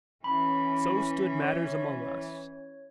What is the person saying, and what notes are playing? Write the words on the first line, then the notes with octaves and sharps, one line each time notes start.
So stood matters among us.
E3 C#4 B5
C#5